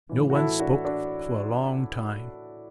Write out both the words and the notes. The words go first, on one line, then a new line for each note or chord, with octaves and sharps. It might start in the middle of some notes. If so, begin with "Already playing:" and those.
No one spoke for a long time.
A2 E3
F#4
E4 A4
D4 F#4
D4 F#4